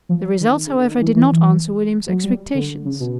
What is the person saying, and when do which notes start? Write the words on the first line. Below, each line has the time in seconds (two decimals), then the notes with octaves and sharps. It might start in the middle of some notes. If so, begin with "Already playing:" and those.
The results, however, did not answer William's expectations.
0.09 F3
0.40 D#3
0.67 C#3
0.78 D3
0.90 D#3
1.01 E3
1.16 E3
1.32 E3
2.09 F#3
2.24 G3
2.54 D3
2.85 C#3
3.00 B2